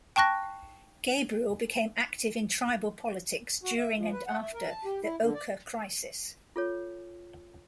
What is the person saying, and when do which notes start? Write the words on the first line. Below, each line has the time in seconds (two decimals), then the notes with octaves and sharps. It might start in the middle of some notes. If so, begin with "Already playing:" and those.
Gabriel became active in tribal politics during and after the Oka crisis.
0.16 G5 A5 C#6 F#6 A#6
3.64 F#4
3.79 E5
3.97 F3
4.12 B4
4.27 F#5
4.42 E5
4.54 A#4
4.70 A5
4.85 G4
5.03 E4
5.22 D3
5.34 D5
6.56 F4 A4 C#5